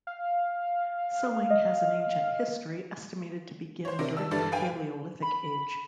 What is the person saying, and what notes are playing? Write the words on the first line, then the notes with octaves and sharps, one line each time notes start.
Sewing has an ancient history estimated to begin during the Paleolithic Age.
F5
D#5
C5 C#5
C3 D4 A#4
G3 A5 E6
G2 E3 G3 A4 A6
B4 F5 G5 G#5
B5